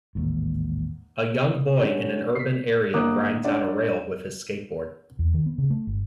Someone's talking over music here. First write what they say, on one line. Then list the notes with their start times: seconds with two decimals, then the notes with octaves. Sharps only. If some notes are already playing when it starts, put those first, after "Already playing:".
A young boy in an urban area grinds on a rail with his skateboard.
0.15 A1 D#2 G#2
1.82 D3 G3 C#4
2.35 B6 C7
2.94 G1 A#3 A#4 D6 D#6 F#6
3.44 C#4 D4 D5 F#5
5.19 E2
5.34 D#3
5.46 B3
5.58 C#3
5.70 A3
5.87 G1